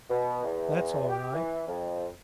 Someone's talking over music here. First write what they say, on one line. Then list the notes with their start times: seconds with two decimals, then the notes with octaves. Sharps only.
That's all right.
0.10 B2
0.44 E2
1.09 G4
1.34 E3
1.68 F2